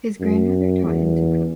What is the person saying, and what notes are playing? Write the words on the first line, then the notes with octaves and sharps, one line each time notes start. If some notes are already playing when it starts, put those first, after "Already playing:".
His grandmother taught him to cook.
F#2
E2